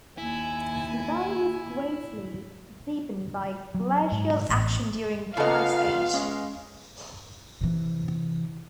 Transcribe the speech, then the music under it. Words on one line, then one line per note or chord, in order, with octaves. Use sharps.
The valley was greatly deepened by glacial action during the Ice age.
D#2 E4 G#5
F#3
G#2
A1 A2
C#3 B3 F4 A4 D#5 F5
G#3 C#4
C3 E3